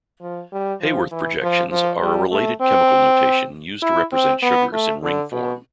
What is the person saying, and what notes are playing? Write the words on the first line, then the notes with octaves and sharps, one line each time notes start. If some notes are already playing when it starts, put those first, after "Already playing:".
Haworth projections are a related chemical notation used to represent sugars in ring form.
F3
G3
F3
E3
F3
F3
G3
A3
C4
E4
C4
B3
A3
D3
B2